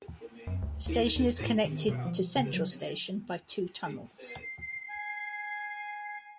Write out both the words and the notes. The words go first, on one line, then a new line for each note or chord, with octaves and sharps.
The station is connected to Central Station by two tunnels.
F#2
D2
D#2
E2
A2
D#3
B2
F3
C#3
F#3
C7
G#5